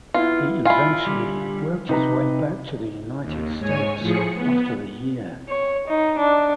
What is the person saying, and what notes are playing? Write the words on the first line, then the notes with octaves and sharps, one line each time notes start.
He eventually worked his way back to the United States after a year.
B3 E4 F4
E4 F4 F5 G#5 C6
D3 G3
C3 D#4 B4 A#5
D#2
G#2 C#5 G#5
A2 F3 G#4 C#7
B3
C#5
D#4
D4